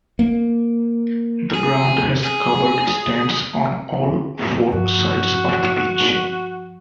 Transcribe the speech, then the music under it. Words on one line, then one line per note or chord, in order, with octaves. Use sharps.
The ground has covered stands on all four sides of the pitch.
A#3
G#4
G#4
G2 F3 F#4